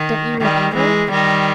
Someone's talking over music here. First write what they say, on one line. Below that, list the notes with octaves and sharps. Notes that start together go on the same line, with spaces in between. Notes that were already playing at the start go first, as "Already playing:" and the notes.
'Don't you remember?
Already playing: D#3
D#3 G3
E3 G#3
D#3 G3